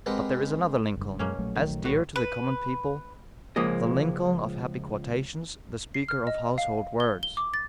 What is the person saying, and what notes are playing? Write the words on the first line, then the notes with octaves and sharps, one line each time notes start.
But there is another Lincoln as dear to the common people--the Lincoln of happy quotations, the speaker of household words.
G#3 C4 G4 A#4 B4 F#5
F#1 G2
F#2 B2 G#3 A#3 C#4
A#1 F#3 A3
D#3
A2 F#4 B4
B4
C#2 F3 G#3 A#3 D#5
C7
F6
D#5
F5
G7
G7
D6
A6